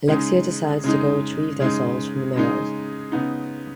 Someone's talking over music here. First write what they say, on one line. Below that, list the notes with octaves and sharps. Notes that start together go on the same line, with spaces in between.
Alexia decides to go retrieve their souls from the merrows.
C#3 G#3 D#4
C#3 G#3 D#4
C#3 G#3 D#4
C#3 G#3 D#4
C#3 B3 D#4